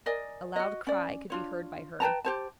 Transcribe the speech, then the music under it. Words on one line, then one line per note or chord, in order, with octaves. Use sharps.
A loud cry could be heard by her.
A#4 D5 D#5 G#5
F#4 D#5
C#4 D5
D4 F4 C#5
B4 G5 A5 A#5
G4 C5 A5